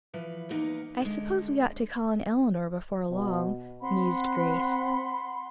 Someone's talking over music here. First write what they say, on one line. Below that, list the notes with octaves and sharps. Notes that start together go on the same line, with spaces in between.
"I suppose we ought to call on Eleanor before long," mused Grace.
E3 F3 B4
E2 A#3 D#4 B4 F#5
D3 G#3
B2
C4 F#5 B5 C6